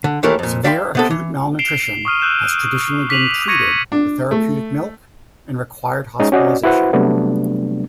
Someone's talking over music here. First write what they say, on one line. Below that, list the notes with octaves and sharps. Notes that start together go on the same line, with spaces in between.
Severe acute malnutrition has traditionally been treated with therapeutic milk and required hospitalization.
D3
D#2 E3 A3 G4 A#4
F2 A#2
D5 E5 F5 G5 B5 C6
C3 B3 A4
E3
C7 D7 E7 F7 G7
C#6 D#6 F6 D#7
E6 F#6 G6 E7
D6 B6 C7 D#7 F7 F#7
C#6 G#6 A#6 C#7 D#7
D4
A3
G#3 C#4 D#4
C#4 F#4 D5 D#5
E4 F#4 B4 C5 F#5
C3 F#3 G3 A3 B3 D4